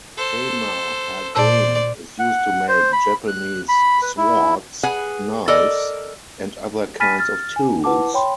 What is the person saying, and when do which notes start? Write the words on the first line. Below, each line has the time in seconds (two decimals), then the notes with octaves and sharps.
Tamahagane is used to make Japanese swords, knives, and other kinds of tools.
0.17 A4 C5
1.35 A#2 C5 D5 A5 E6
2.19 F#5
2.68 C5
2.93 B5
3.28 F#6
3.69 B5
4.02 B4
4.17 E4
4.83 G#4 B4 F#5 G#5
5.48 A4 A#4 D5 D#5
7.00 G#5 B5 F6 A6 B6 D#7
7.19 F6 A6
7.56 G#5
7.84 E4 B4 F#5 A5 D6
8.14 C#5 G5 B5 C6